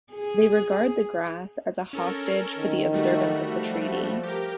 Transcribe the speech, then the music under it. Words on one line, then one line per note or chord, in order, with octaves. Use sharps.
They regard the grass as a hostage for the observance of the treaty.
G#4
C#4 A4 A#4
D#3
G3 A3 F#4
F3
G4 A#4